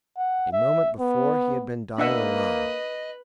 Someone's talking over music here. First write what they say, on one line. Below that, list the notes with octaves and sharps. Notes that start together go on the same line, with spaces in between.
A moment before he had been dying alone.
F#5
E5
B3
A#3 D4 B4 D#5 E5 F#5